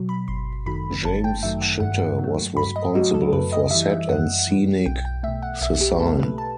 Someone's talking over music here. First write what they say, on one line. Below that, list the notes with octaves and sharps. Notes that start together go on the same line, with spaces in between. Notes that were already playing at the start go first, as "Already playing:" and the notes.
James Schuette was responsible for set and scenic sesign.
Already playing: B2 F#3
B5
G1 C6
F#2 D#3 F#3 A3 B5
G1 A5
G5
F#2 D#3 F#3 A3 E5
F#5
G2 F#5
F#3 A3
G2 B5
D#5
F#3 A3 F#4
A4
F#2 B4
D#5
E3 G3 E5
E5
F#2 F#5
E3 G3
B1 G5
G5
B2 A3 E5
F#5
B1 E5
G4
B2 A3 A4
B4
A5